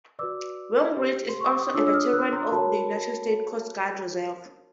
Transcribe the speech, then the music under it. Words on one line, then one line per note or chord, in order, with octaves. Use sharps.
Wainwright is also a veteran of the United States Coast Guard Reserve.
F#4 B4 D5 D6 E6
G4 C5
C6
C#6
D6
D#6
D4 F4 A4 C#5 D6 E6
E6
D#6 F6
E6 F#6
A#5 C6
F#4 A#4 C#5 A5 B5